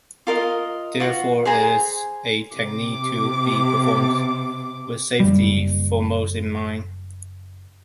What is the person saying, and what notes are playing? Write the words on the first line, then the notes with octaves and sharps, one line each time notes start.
Therefore, it's a technique to be performed with safety foremost in mind.
F4 A#4 D#5
F4 F#4
G#4 C5 G#5 A#5
C3 D6
F#1 G3